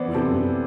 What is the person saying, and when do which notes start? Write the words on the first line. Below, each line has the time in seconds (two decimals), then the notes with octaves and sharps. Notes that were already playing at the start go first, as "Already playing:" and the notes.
We do.
Already playing: E3 B3 E4 C5 D5
0.14 C3 A4